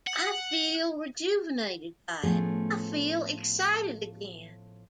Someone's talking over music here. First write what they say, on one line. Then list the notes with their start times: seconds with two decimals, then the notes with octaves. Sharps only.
I feel rejuvenated by it, I feel excited again.
0.07 F#5
2.23 A2 F3 A3 B3 C#4 G#4